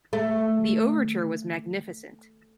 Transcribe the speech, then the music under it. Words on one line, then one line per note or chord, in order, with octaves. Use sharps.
The overture was magnificent.
A3